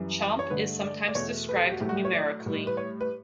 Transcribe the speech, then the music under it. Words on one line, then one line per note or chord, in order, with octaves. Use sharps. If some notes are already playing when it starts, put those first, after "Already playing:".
Chomp is sometimes described numerically.
Already playing: F#2 E3 G3
C#5
G2 D3 A3 B4
D5
D5
E2 B2 A3 C#5
B4
A4
G4
F#4
A2 F#3 A3 G4
F#4
G4
C#5
D5
A2 G3
B4
C#5
B4